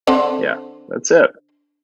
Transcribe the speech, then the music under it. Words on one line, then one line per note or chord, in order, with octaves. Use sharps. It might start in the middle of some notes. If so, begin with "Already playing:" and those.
Yeah, that's it.
D3 C4 C5